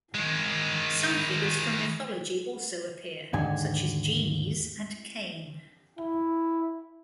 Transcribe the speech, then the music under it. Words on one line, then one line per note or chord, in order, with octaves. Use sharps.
Some figures from mythology also appear, such as genies and Cain.
D#3 G#3
D#2 G#2 D3 G#5
E4